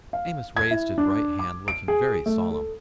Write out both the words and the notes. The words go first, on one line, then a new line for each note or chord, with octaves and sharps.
Amos raised his right hand looking very solemn.
F5
G#6
E4
D4
D6
D7
G#4
A3
A4